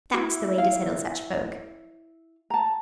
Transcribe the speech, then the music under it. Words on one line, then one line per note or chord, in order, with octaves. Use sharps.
"That's the way to settle such folk!"
E4 F#4
E4 F5
A5 A#5